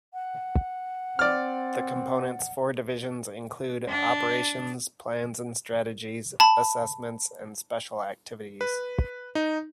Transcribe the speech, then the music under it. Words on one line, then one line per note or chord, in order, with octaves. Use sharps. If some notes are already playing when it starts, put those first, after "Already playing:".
The Component's four Divisions include: Operations, Plans and Strategy, Assessments, and Special Activities.
F#5
C4 D5 F6
D4
A5 B5
B4
D#4